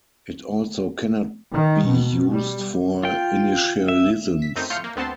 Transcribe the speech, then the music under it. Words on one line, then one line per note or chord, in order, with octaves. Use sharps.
It also cannot be used for initialisms.
D#3
B2
G3
F4 G5
E5
B6
F#2 A2 C4 D#4 G6
A2 F4 C6 F6 G6 C#7
A#3
D2 B3 C4 F#5 A5 C6